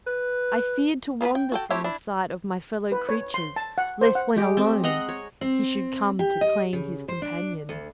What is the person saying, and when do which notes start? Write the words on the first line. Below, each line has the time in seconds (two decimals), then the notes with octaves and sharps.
I feared to wander from the sight of my fellow creatures lest when alone he should come to claim his companion.
0.07 B4
1.21 A#3 B3 A#4 B4
1.35 G5
1.52 F#4 A4 G5
1.70 A3 C4 E4 G4 C#5
1.84 D4 E4
2.92 B4
3.09 C#5
3.34 C6
3.56 A5
3.78 F#5
4.01 C5
4.15 F#5
4.36 G#3 G4
4.57 C4
4.84 D#5 F#5 A#5 C6
5.09 C#5
5.41 C4
6.19 G4
6.41 D#5
6.73 C#3
7.08 C5
7.22 D4
7.69 D2